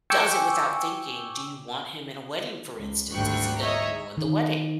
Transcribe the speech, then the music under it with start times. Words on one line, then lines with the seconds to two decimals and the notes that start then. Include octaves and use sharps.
does it without thinking, do you want him in a wedding for instance? Is he gonna ruin the wedding?
0.10 G5 G#5 C#6 D6 E6
2.78 C#2
3.11 G#1 D2 G3 G5 C#6 F#6
3.57 C#5 D#5 E5 A#5
4.17 D#3